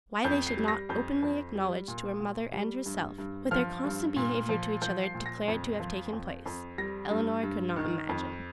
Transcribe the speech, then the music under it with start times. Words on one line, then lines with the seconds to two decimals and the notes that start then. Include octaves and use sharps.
Why they should not openly acknowledge to her mother and herself, what their constant behaviour to each other declared to have taken place, Elinor could not imagine.
0.24 F2 G6
0.47 C7
0.57 G3
0.68 A#6
0.89 F2 G6
1.22 F2
1.55 G3
1.88 A#2
2.20 A#2
2.53 G3
2.86 G2
3.18 G2
3.51 F3 F6
3.84 G2
4.16 A#2
4.49 F3
4.82 F3 G6
5.04 C7
5.15 A#2
5.26 A#6
5.48 F2
5.80 F3
6.13 F2
6.46 F2
6.78 G3 A#6
7.11 G2
7.43 G2
7.76 D#3
8.09 F2